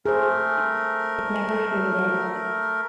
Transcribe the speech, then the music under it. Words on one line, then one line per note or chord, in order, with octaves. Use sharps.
It never flew again.
A3 G#4 A#4 C5